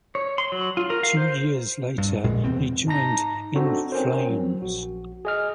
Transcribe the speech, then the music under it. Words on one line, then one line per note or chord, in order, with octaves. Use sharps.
Two years later he joined In Flames.
C#5
C6
F#3
F4
A#4
F5
C5
G2
A#1 A#2 G#3
E2 C3 B3 C4
G#2 D#4 A5 A#5 A#6
C4 D4 D#4 F#4 A4 C5
C4 C#4 A#4 C5
F#3
A#1 F#4
G#4 D#5 F6